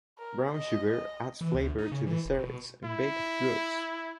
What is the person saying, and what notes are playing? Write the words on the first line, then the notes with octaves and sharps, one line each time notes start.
Brown sugar adds flavor to desserts and baked goods.
A#4
D#5
D#5
E3
D2
D#4
C#3
E3
E1
B2
E4